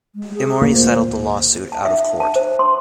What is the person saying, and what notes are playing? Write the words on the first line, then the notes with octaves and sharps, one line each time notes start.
Emory settled the lawsuit out of court.
G#3
G#4
D2 A#2 A#3
C5
A5
E5
A5
C5
C6